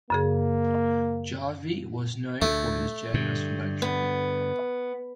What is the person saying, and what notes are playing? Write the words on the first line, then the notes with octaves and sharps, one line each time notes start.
Jarvie was known for his generous philanthropy.
F#2 C#3 A#3 G#4
D2 A3
G2 D3
B3